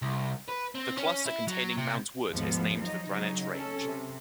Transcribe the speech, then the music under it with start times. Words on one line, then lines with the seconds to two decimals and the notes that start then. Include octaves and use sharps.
The cluster containing Mount Wood is named the Granite Range.
0.02 C2
0.49 B4
0.75 C4
0.97 C#4
1.26 E4
1.47 F#3
1.78 C3
2.29 D#2 G#2 F3 B3
2.80 F3 F#3 D#4
3.10 C#3 F#3 D#4
3.54 C#4 A4
3.86 C3